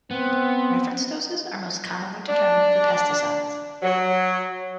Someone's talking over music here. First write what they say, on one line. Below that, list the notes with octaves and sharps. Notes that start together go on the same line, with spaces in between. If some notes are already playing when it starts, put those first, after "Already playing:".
Reference doses are most commonly determined for pesticides.
B3 C4
D4
F#3